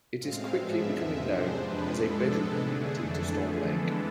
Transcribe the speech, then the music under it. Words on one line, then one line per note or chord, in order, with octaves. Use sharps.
It is quickly becoming known as a "bedroom community" to Storm Lake.
A2 G#3 C4 F5
G#2 F3 G#3 B3 D4 E5
E2 C3 F3 G#3
C3 G#3 D4 C5
F2 C3 F3 G#3 D4 B4
A2 G#3 D4 A4
C3 G#3 B3 D4 A4
D3 A3 D4 G#4
F2 E3 A3 D4 A4
D3 F3 A3 G#4
F2 E3 G#3 B3 D4 A4